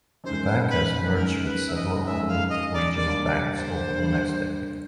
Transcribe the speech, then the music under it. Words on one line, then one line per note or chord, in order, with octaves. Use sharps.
The bank has merged with several other regional banks over the next decade.
F#2 D#3 G#3 C5
B4
F#2 D#3 G#3 A#4
B4
E5
D#5
F#2 D#3 G#3 E5
F5
D#5
D5
G3 A#3 D4 D5
D5
C5
G3 A#3 D4